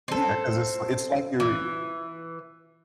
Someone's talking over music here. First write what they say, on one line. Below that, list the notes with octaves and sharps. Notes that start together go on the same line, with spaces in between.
Yeah, 'cause it's li it's like you're
C4 A4
E3